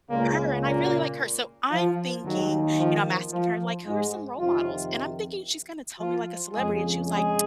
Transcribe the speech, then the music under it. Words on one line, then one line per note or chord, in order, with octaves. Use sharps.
her and I really like her." So I'm thinking You know, I'm asking her like, "Who are some role models?" And I'm thinking she's gonna tell me, like, a celebrity and she was like,
C#2 A#2 C#3 A#3
A#2 A#3
F3
D#2 D#3 F#3
F3
F3
G#2 G#3
F2 C3 D#3 F3 F4
F3 F4
F2 C#3 G#3 G#4
G#3 G#4